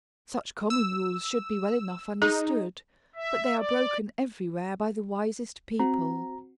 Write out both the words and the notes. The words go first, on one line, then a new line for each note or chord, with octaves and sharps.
Such common rules should be well enough understood, but they are broken everywhere by the wisest people.
E6
D#4 G#4
E5
D5
C4 F#4 A#5